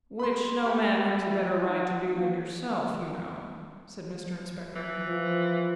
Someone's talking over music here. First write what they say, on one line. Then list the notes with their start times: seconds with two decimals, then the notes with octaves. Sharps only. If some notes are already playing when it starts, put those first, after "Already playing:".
'Which no man has a better right to do than yourself, you know,' said Mr Inspector.
0.20 B5 C6
0.66 G4 E5 B5
1.69 D#4
1.82 F#5
2.13 A#3
4.76 E3
5.07 F3